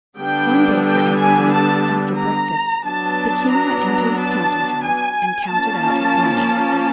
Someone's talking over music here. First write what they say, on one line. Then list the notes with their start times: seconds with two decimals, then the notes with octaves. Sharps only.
One day, for instance, after breakfast, the king went into his counting-house, and counted out his money.
0.18 D3 G3 B3 D4 G5
0.85 G5
1.18 G#5
1.51 A5
2.18 A#5
2.84 F#3 B3 D4 A5
3.51 A#5
4.18 A5
4.84 G#5
5.51 F3 A#3 C#4 A5